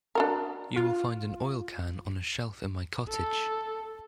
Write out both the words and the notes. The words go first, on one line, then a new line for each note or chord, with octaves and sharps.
You will find an oil-can on a shelf in my cottage.
D4 F#4 A#4
F4
A4